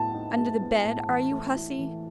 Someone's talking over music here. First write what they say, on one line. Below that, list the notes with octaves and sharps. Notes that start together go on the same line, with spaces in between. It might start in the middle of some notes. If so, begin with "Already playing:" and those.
Under the bed, are you, hussy?
Already playing: A2 B3 A5
D#4
G#3
B3
A2
E3
A3
E4
E3